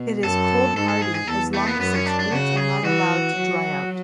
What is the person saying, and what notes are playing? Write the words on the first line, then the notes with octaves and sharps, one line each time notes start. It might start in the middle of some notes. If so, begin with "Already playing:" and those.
It is cold-hardy as long as its roots are not allowed to dry out.
Already playing: B2
F#2 A4
G#2 A4
A4
G#4
G#4
E2 A4
A3
B3
F#2 B3
C#4
D4
D4
C#3 F#4
G#4
E3 F#4
F#3